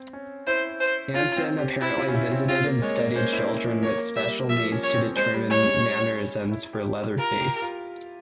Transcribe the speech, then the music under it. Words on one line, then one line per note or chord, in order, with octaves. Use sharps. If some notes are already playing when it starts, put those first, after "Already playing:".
Hansen apparently visited and studied children with special needs to determine mannerisms for Leatherface.
Already playing: C4
C#4
E4 C5
C5
C#4 F4
C4
G4
E4 G4
F4
C#4
E4
C4
C4 F4
A#3
G#3 C#5
A#3
C#4 C5
E4
F3
A#3 C#5
G3 E5
F3 E5
C#4
C#5
C4
G#3 C5
G3
G#3 C#5
C#4
E4
G4
F4 A#4
G4
F4